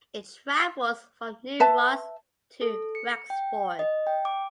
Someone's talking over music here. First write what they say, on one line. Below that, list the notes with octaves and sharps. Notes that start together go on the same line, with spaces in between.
It travels from New Ross to Wexford.
B4 E5 A5
A4
C#7
G5
D#5
G5
D6